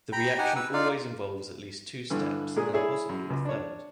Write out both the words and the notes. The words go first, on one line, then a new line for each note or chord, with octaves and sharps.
The reaction always involves at least two steps, and possibly a third.
G5 A#5 B5
D#4 G4 F#5 G#5
B4 E6
D#4 F4 D5 F5
G2 D3 E3
A#2 G#3 G#4 D#6
E4 G#4 C#5 D5 E5
F#2
C#2
D4 C#5